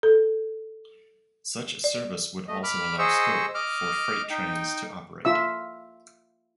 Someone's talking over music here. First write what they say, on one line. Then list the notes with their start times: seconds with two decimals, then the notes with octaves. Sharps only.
Such a service would also allow scope for freight trains to operate.
0.03 A4
1.84 D5
2.48 A3 D#5
2.63 B5 D6 F6
2.99 G#4 C5 D#5 C#6 E6
3.55 D#5 D6 F6
4.30 D#4 G5
5.25 F4 E5 E6